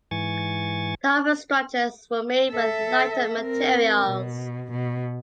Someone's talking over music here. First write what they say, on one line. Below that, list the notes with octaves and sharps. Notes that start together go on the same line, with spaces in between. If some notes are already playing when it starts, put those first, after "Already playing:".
The upper structures were made with lighter materials.
G#2 E3 G#5 C#6 A6
A4 E5
C4 A#4
B2
B2